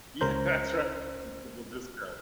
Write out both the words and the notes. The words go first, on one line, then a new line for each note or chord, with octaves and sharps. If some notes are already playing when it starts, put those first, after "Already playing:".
Yeah, that's right, and people, just, go.
C#2 C#4 A#4 C5 G6